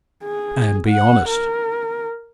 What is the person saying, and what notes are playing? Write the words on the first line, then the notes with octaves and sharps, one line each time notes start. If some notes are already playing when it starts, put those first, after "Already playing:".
Man, be honest.
G#4
F#5
A#4